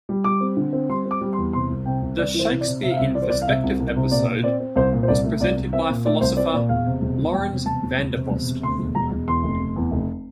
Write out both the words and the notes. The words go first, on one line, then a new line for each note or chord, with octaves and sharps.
The "Shakespeare in Perspective" episode was presented by philosopher Laurens van der Post.
G3
G3 D6
C4
D3
C4
G3 C6
C4
D6
G3
C6
E2
C3 C6
C2
C3 G5
C2
C2 D5
E3
C5
C3
D5
C3
C3 E5
F5
C2 E5
E3 D5
C5
C2 D5
F5
C3 E5
C2
C2
C3
A#2 D5
A#2
C4 D5
C4
C2 C5
A#2
C5
C2 D5
A3
C2 D5
C2
C4 E5
A#2
A3 D5
C2 C5
C4 D5
A#2 D5
E1 F5
C3
E1
E1
E1 G5
C3
E1 A5
E1
E1
C3
E1
C3
D2 C6
E1
E1 A#5
E1
E2 C6
F1
F1
E2
F1